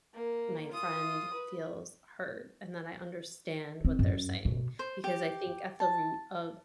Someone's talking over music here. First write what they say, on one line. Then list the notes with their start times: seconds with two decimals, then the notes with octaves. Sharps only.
my friend feels heard and that I understand what they're saying. Because I think at the root of
0.14 A#3
0.72 F4 D#6
1.33 B4
3.85 C4
3.99 F#2
4.45 B2
4.79 C5
5.04 G4
5.80 A5